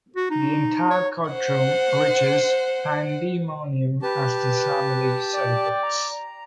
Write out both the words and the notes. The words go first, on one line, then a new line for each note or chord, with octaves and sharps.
The entire courtroom reaches pandemonium as the family celebrates.
F#4
D#4
C#5
C5 F#5
G4 B4 A5
D5 G5
A#5